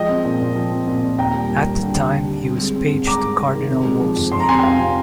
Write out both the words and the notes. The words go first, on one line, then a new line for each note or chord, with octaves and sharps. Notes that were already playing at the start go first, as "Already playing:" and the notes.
At the time he was page to Cardinal Wolsey.
Already playing: F3 G#3 D#5 G5
C4
A#2
A#2
F3
C4
A#2
A#2
D#2 G5 A#5
G3
D#2
G3
D3
G3
G3
G3
C4
G#3
C4
G#2
G#3 A#5 D6
G#2
G#3
D#3
C3
G#3
F3
F2
F2 C6
A#5
C3 G#5 C6
G5
F3 F5 G#5
C3